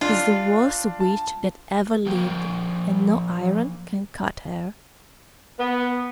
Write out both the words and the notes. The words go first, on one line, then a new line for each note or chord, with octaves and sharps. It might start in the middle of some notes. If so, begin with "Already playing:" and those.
She is the worst witch that ever lived, and no iron can cut her.
D4 F4
A5
F3 A#3 G5
B3